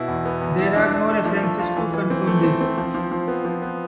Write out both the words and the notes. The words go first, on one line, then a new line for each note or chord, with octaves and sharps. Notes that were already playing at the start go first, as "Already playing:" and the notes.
There are no references to confirm this.
Already playing: B2 E4
E2
B3
E2
E4
D4
D4
A3
F3
A3
F4
E3
E3
C4
A3
C4
C4
F3
F3
F3
B3
F3
B3